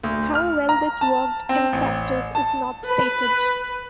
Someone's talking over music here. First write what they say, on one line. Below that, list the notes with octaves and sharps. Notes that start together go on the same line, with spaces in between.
How well this worked in practice is not stated.
D2
F6
A#5
A5
C4
A1
A5
B4